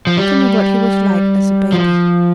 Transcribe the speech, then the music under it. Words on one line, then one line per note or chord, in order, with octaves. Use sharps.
Tell me what he was like as a baby.'
F3
G3
F3